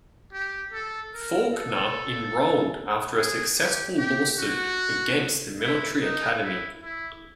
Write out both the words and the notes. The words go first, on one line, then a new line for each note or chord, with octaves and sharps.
Faulkner enrolled after a successful lawsuit against the military academy.
G4
A4
A#4
A4
G#4
G4
G4
F#4
E4
D#4
E4
E4